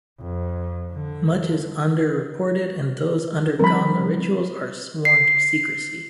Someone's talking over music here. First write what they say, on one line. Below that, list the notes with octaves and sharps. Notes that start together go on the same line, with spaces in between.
Much is underreported and those undergone the ritual are sworn to secrecy.
F2
D3
F3 G3 C4 A#4 B5
C7